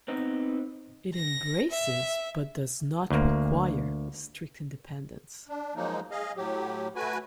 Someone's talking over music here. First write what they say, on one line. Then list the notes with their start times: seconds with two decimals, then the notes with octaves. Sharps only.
It embraces but does not require strict Independence.
0.08 B3 C4 D#4
1.15 A#6
1.71 E5
3.10 D2 A#3
5.48 D4
5.75 F3 F#3 G#3 A#3 D#4
6.11 G#4 D#5 F5
6.36 A2 F#3 G4
6.96 A3 F#4 B4 G#5